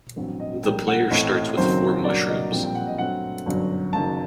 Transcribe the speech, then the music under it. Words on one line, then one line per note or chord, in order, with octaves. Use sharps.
The player starts with four Mushrooms.
A1 G2 F#3 C4
D#5
A#1 A2 G3 A#3 G5
F#5
A1 A2 A3 C4 D#5
D#5
F#1 F#2 D#3 F#3 C4 C5
G2 F#3 A#3 D5
D#5
A#1 A#2 G3 C4 G5
G5
F#5
D#5
G2 F#3 A3 C4 F#5
G1 F#2 F#3
F#1 F#2 D#3 A5